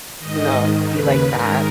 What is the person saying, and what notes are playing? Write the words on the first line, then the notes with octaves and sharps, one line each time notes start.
you know, be like that,
G#2 D#3 D#5
G#2 D#3
D#2 C#3 B4
G#2 D#3 A#4